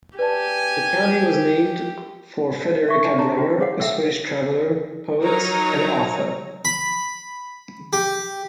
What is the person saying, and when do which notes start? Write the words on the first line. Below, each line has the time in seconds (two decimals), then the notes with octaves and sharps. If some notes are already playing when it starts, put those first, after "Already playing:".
The county was named for Fredrika Bremer, a Swedish traveler, poet, and author.
0.19 G4 B4 D5 G#5 A5
2.88 E5 C#6
3.04 D4 D#4 E5
3.18 A4 C#5 A5 A#5
3.37 F#4 G5
3.60 G#4 C#5 F5 F#5
3.80 A4 E5 F#5 G5 E6
5.21 F#3 D#4 A#4 C#5 A#5
6.65 B5
7.93 G4